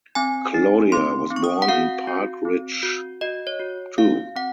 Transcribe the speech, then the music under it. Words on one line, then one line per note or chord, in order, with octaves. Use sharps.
Claudia was born in Park Ridge Il.
C4 G#5
D#4
C4 C6
C4
C#6
D#6
F#5
F#4 F5
F#4
C4
F#4
F#4 D#5
C#5
F#4
F#4 F5
C4 F#5